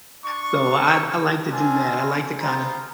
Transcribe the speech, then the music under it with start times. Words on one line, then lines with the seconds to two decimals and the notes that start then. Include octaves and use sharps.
So, I d I like to do that, I like to kind of
0.24 D4 C6 C#6
1.51 C4 D4 F4 G#5
2.40 B3 C4 F4 A#5